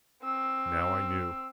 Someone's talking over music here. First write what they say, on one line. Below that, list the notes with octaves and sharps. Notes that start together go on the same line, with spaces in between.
Now I knew!
C4 E6